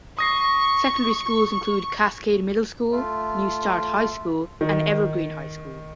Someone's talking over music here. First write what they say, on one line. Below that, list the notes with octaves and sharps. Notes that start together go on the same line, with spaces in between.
Secondary schools include Cascade Middle School, New Start High School, and Evergreen High School.
C#6 D#6 A#6 C7
A3 F4
D#3